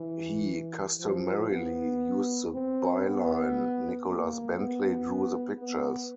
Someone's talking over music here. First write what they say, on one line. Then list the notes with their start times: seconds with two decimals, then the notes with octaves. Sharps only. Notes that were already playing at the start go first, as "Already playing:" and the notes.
He customarily used the byline "Nicolas Bentley drew the pictures".
Already playing: E3
1.01 F3
1.51 B3
2.53 C4
3.04 B3
4.06 A#3
4.56 B3
5.58 B3